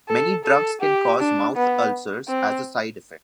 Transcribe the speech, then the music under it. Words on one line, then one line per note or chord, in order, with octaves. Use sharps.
Many drugs can cause mouth ulcers as a side effect.
A4
A4
G4
D4
B3
C4